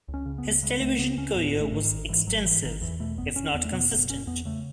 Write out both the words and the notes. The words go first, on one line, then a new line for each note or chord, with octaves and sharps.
His television career was extensive, if not consistent.
C#2
C#4
C#3
B3
C#2
C#3 G#3
C#2 A3
C#3 B3
C#2 C#4
G#2 B3
G#1
A3
G#2
D#3
G#1
G#2 E3
G#1 F#3
G#2 E3
G#1 D#3
E2 E3
B2 A3
F#1 B3
F#1 C#4
E2 B3
A3
B2 B3
F#1 B3
F#1 C#4
E2 B3
C#3 A3